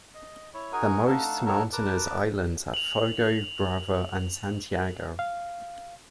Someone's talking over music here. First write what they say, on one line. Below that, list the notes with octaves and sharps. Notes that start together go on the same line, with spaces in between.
The most mountainous islands are Fogo, Brava and Santiago.
D#5
E4 C#5
D#4 F#4 G#4 A#4 F#5 G#5
A3 D4 D#4 A4 F5 F#5
D4 D#4 F#4 A4 A#4 C#5
A#4 B4 A5 D6
F7 F#7
F5